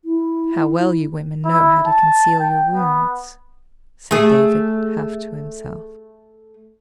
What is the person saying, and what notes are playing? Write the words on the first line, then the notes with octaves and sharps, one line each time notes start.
"How well you women know how to conceal your wounds," said David, half to himself.
E4
E4
A5
G5
B3
A3 G#4